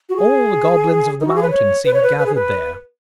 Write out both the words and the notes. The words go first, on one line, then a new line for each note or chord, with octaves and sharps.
All the goblins of the mountain seemed gathered there.
F#4
G#4
D#4
F#4
G#4
B4
C#5
B4
C#5
B4
B4
G#4
B4